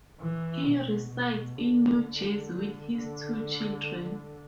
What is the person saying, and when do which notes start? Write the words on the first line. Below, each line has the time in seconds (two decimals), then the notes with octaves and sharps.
He resides in New Jersey with his two children.
0.21 E3
0.67 B2
1.12 B2
1.58 D3
2.94 D3